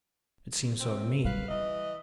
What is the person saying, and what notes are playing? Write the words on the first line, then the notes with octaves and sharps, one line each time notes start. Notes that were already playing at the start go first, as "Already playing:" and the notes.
It seems so to me.
F#2 C4
G3 B4 F5
E3 D#5